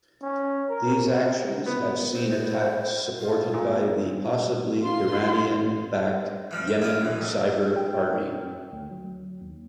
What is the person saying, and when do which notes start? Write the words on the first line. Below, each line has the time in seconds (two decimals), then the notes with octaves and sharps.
These actions have seen attacks supported by the possibly Iranian backed Yemen Cyber Army.
0.22 C#4
0.70 A#4
1.66 B3
2.12 C5
3.19 F4
3.54 A#2
4.80 F4 C6
6.51 E3 F3 G3
6.67 G5
6.82 E4 F4 D5 D#6
7.01 F#2 E3
7.19 C2 F2
7.76 G5
8.72 D2
8.91 F#3
9.41 D#2